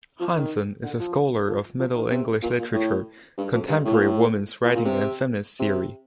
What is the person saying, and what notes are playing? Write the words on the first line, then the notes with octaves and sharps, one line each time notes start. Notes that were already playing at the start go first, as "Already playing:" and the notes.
Hansen is a scholar of Middle English literature, contemporary women's writing and feminist theory.
F3
D#3
D3
F3
F3
F3
D#3
C3
A#2
A#2
A2
G2
F2
G2
A2
A#2
A2
A#2
A#2
C3
C3